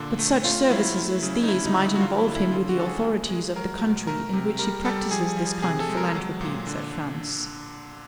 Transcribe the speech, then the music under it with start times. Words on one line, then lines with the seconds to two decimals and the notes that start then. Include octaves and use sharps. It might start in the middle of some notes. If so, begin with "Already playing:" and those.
"But such services as these might involve him with the authorities of the country in which he practices this kind of philanthropy," said Franz.
Already playing: A#2 D3
0.19 A3
0.44 A3 F4
0.70 F#3 E4
0.97 A3
1.22 C#3
1.43 D#4
1.48 D3 E4
1.66 D#4
1.74 D3
1.83 E4
1.96 F#4
2.01 D3 F4
2.18 E4
2.27 D3
2.35 E4
2.52 C#3 F4
2.69 F#4
2.78 G#3 A4
2.87 G#4
3.03 G#3
3.30 G#3
3.56 F#3 A#4
3.81 B2
4.07 A3 A#4
4.33 C3
4.59 G3 A#4
4.85 G3 A4
5.11 F3 G#4
5.37 F3
5.62 C3 G#4
5.80 A4
5.89 G#3
5.97 A#4
6.15 F#3
6.41 A#2
6.67 D3
6.92 D3